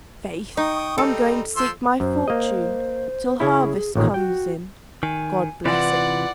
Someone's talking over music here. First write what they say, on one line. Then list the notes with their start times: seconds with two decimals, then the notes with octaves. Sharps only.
"Faith, I'm going to seek my fortune till harvest comes in, God bless it!"
0.57 D#4 G5 C#6 D#6
0.98 G3 C4 D#4 A4
1.56 F3 C6 E6
2.00 F#2 C5
2.28 A#3 D#5
3.40 C#3 C#4 E4 G#4
3.95 A1 A#2 D#3 C#5
4.14 F#4 G5
5.03 D#3 G#5
5.65 C3 E3 E4 F4 B4 D5 F#5